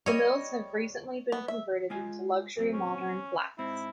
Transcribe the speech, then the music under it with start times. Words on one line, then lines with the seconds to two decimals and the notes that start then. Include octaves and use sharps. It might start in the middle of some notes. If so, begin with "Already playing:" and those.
The mills have recently been converted into luxury modern flats.
0.06 G3 C#5 D#5
1.32 B3
1.48 E5
1.90 G#3 F4 G#5
2.56 A#2 F#3 C4
2.73 C#4
3.58 G#2 C4 E4